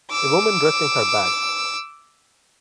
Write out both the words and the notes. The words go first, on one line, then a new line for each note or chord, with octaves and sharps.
A woman resting her bags.
D6 E6